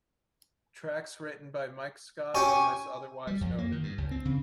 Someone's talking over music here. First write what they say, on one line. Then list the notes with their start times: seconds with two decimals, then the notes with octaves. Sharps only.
Tracks written by Mike Scott, unless otherwise noted.
2.35 C#4 G4 C#5 G#5
3.27 G3
3.41 F2
3.58 A#3
3.72 D#3
3.83 G2
3.98 C#2
4.11 C4
4.25 C#3